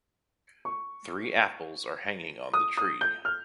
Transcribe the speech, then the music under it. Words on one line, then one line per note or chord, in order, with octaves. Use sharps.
Three apples are hanging on the tree.
C#6
D#6
D#6
G6
F6